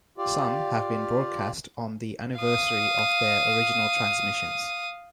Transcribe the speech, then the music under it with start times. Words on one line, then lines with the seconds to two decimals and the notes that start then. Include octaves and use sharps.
Some have been broadcast on the anniversary of their original transmissions.
0.18 F4 G4 D5
2.37 F5 D#6